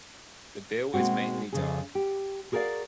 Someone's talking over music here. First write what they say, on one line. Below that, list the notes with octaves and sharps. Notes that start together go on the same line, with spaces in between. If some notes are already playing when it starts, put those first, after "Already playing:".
The bill is mainly dark.
B2 G#3 A#3 C4 F#4
F2 C#3 G#4
G4
F#4 G#4 A#4 C5 D5 F5